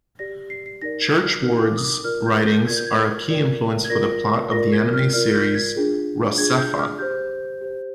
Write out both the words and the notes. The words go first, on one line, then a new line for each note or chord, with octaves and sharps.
Churchward's writings are a key influence for the plot of the anime series RahXephon.
G4 D5 A#6
C7
C7
D#4 A#4 D5 A#6
G#6
F6
D#4 A#4 D5 F6
D6
D#6
D6
F4 A#4 D5 F6
G6
G6
F4 A#4 D5 G#6
G6
G#6
F4 A#4 D5
G#6
F4 A#4 D5 A#6
F4 A#4 D5 A#6
G#6
F6
F4 A#4 D5 F6
G6
G#6
D4 F4 G#4
D4 F4 G#4 G#6
G6
F6
G4 C5 G6
G4 C5